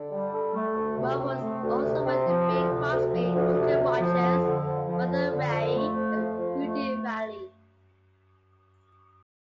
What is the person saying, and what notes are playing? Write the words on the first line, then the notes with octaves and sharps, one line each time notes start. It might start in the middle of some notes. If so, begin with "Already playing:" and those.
Morros also worked with Bing Crosby, Ginger Rogers, Martha Raye, and Rudy Vallee.
Already playing: D3
G3
A4
A3
D2
C3
C4
A3
D2
C3
C4
F3
D2
C3
D2
F3
D2
C3
D2
F3
F2
D3
F2
F3
F2
D3
F2
A3
F2
F3
F2
A3